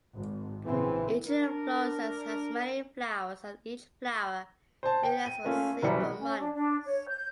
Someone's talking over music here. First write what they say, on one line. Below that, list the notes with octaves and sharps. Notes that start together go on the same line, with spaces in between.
Each inflorescence has many flowers and each flower may last for several months.
G#1
A#1 C#3 E3 C4
D4 A#4
C5 A5
G5
D#7
A3 A#3 C#4 F4
F#1 C2 E3 F#3 G3 C#7
C#4
D4
D4
C#5
G6